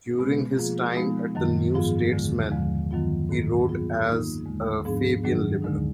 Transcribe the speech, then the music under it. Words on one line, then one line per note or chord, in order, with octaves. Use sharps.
During his time at the "New Statesman" he wrote as a "Fabian liberal".
B2 G#3 B3
F3 A#3 F4 G#4
F3 G#3 B3 D#4
F#2 D#3 F#3
G#2 F3 B3 F4 G#4
D#2 D3 G#3
D#2 D3 F3 G#3
F#2 D#3 F#3 B3 F4
G#2 D#3 A#3
F#3 B3 F4 G#4
D#3 A#3 D#4
D#2 D3 G#3
G#2 F3 B3 D4 G#4
F#2 D#3 F#3 D4 G#4
D2 D3 G#3 D#4